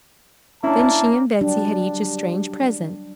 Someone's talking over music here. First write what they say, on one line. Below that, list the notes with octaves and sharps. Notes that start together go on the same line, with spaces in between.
Then she and Betsey had each a strange present.
A#3 C#4 D4 E4 A5
F#3 G3 D4 G4